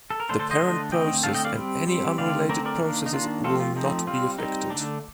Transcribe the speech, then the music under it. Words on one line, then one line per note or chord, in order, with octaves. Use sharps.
The parent process and any unrelated processes will not be affected.
A4
A#4
D3 A3 D4 A4 C5
A4 C5
C5 D#5
D3 A3 D4
D3 A3 C4 D#5 G5
D3 A3 C4 F5 A5
D#5 G5
D5 F5
G3 C4
G3 C4
D3 A3 C4 D5 F5
D3 A3 C4 A#4 D5
A#4 D5
D#3 A#3 D4
D#4
D#3 A#3 D4 F4
F3 A3 C4 F4 A4
F4
F3 A3 C4 D#4
G3 C4 F4
G3 C4 D#4
D3 A3 D4